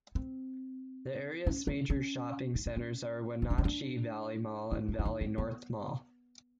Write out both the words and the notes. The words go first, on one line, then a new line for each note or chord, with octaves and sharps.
The area's major shopping centers are Wenatchee Valley Mall and Valley North Mall.
C4
C#4
C#4
C#4
D#4
D4
C#4
D#4
D4
C#4
D4
E4
E4
E4
D#4
C4
B3